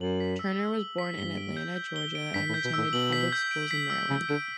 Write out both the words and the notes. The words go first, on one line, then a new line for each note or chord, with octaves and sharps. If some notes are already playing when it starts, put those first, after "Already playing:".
Turner was born in Atlanta, Georgia, and attended public schools in Maryland.
F#2 F#7
B6
E6
E6
F#7
B6
G2 G7
D7
G6
G6
G7
D7
G2 B6
A2
G6
B2
A2 E6
B2 F#7
B6
G6
D7
B6
E6
C#3 E6
D3 D7